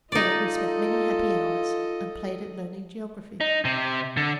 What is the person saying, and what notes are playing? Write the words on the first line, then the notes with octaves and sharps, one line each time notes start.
There we spent many happy hours and played at learning geography.
D#4 F4 A4 D5 D#5
D#4
C3
D3